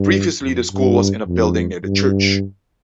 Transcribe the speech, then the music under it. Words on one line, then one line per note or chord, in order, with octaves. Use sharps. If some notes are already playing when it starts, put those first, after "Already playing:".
Previously, the school was in a building near the church.
Already playing: G2
F2
G2
F2
G2